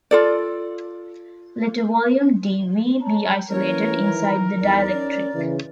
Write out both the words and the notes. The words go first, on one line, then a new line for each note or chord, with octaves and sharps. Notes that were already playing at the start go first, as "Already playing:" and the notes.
Let a volume d"V" be isolated inside the dielectric.
F4 A4 D5
C#5 A5 A#5
E3 A#3 C#4 A#4 C#5
D#3 A#5
E2 D#4 D5
C#4
C#3 E3